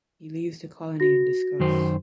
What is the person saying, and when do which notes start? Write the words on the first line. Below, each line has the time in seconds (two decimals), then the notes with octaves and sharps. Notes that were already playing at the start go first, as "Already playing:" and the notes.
He leaves the colony in disgust.
1.00 F#4 A#6
1.60 F#2 D#3 C5